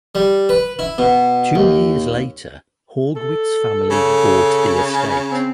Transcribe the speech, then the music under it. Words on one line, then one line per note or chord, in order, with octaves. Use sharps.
Two years later Haugwitz family bought the estate.
G3
B4
E4
B2
D#2
A4
C#3 A4
C4